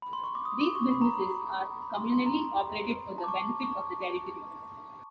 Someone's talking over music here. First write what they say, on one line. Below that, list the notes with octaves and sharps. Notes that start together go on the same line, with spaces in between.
These businesses are communally operated for the benefit of the Territory.
B5
C6
C#6
D6
D#6
D6
C#6
B5
A#5
B5
B5
C6
C6
A#5
A5
D6
C#6
D6
C#6